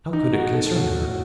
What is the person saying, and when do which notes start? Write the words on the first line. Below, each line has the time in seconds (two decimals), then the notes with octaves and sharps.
How could it concern her?
0.13 D#4
0.33 F#4
0.54 A4
0.66 A4
0.75 A2 F#4